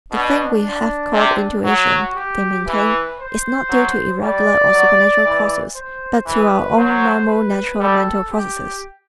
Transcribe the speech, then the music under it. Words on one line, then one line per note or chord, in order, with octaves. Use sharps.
The thing we have called intuition, they maintain, is not due to irregular or supernatural causes but to our own normal natural mental processes.
B2 D4
D4
C3
F#3 F#4
G4
E3 B4
C5
F#3
G3 D5
F#3
E3
C5
E3 B4
F#3 C5
B4
G3 A4
G4